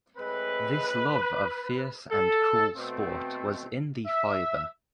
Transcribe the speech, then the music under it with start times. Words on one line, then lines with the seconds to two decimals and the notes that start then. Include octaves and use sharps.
This love of fierce and cruel sport was in the fiber.
0.17 A2 G#3 C4 B4
2.11 A4
2.76 B2 A3 C4
4.06 E5